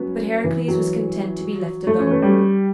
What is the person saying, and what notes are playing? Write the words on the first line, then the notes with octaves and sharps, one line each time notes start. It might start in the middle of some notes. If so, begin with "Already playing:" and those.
But Heracles was content to be left alone.
Already playing: F#3 B3 C#4
E3
F#3
A3
C#4
B3
G3